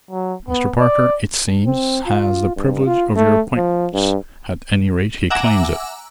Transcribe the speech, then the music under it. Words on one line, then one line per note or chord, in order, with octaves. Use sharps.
Mr. Parker, it seems, has the privilege of your acquaintance--at any rate he claims it.
F#3
B3
D5
C4
F4
G2
F4
A3
F3
G2
E5 F#5 G#5 A#5 D6 E6